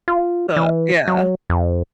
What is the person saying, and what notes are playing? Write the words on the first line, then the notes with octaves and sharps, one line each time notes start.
But, yeah.
F4
E3
F#3
F2